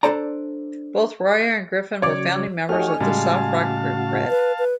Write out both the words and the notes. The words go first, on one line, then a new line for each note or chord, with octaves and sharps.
Both Royer and Griffin were founding members of the soft-rock group Bread.
D4 A4 C5 D5 A#5
C#3 F#3 C#5 D5 D6
A3 D#4 F#4 G4 C#5 G#5 F6
A2 C#3 G3 G#3 F#4 F5 A5
B4
B4